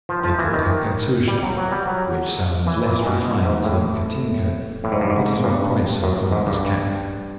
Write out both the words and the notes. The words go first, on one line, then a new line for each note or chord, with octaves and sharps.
They called her Katusha, which sounds less refined than Katinka, but is not quite so common as Katka.
F3
F3
E3
D#3
G3
F#3
F#3
G3
F#3
E3
A#2
B2
G#2
A2
A2
G#2
G2
G#2
G2
F#2
G#2
G2